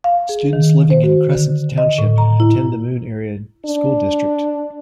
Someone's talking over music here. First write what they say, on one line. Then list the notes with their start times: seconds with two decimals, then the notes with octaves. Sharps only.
Students living in Crescent Township attend the Moon Area School District.
0.04 F5
0.29 G#4
0.53 D#3
0.90 C5
1.03 F#4
1.30 D3
1.78 D#5
1.99 A2
2.18 A#5
2.40 E4
3.66 D4